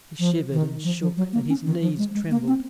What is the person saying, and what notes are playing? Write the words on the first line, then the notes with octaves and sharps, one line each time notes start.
He shivered and shook, and his knees trembled.
F3
D#3
F3
F3
F#3
A#3
C#4
D#3
F3
G#3
G#3
A#3
C4